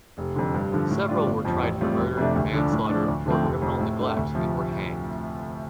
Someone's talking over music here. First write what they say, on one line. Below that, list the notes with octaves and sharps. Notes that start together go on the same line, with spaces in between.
Several were tried for murder, manslaughter, or criminal neglect and were hanged.
F1
F2 D3
G2
D3 F3
A2
G3 D4 F4
G1
F2 F3
A1
A2 G3 C4 F4
F1
F2 C3 A3 D4
D2
D3 F3 D4
A2
F3 D4
D2
D3 F3 A3 C4
F1
F2 F3
A2
A3 D4
D2
C3 F3